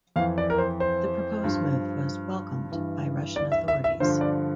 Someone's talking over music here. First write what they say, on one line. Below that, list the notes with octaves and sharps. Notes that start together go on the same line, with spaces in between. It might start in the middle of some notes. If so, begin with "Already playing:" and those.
The proposed move was "welcomed" by Russian authorities.
F2 E3 F5
D5
A#4
C5
C5
G2 F3
G2 E3
D5
E5
E5
E5
G2 D3 F3 C5
D5